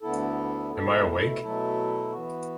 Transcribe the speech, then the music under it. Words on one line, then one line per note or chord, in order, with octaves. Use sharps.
Am I Awake?
D2 D3 B3 E4 A4
B2 A3 E4 A4
B2 F#3 A3 E4 A4
E3 B3 F#4